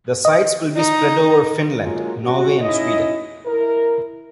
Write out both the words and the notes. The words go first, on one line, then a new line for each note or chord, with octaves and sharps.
The sites will be spread over Finland, Norway and Sweden.
D#5
D#4
F#3 G#3 A#3 F4
G3 C#4 F#4
C#4 D#4 E4 D#5
E4 A#4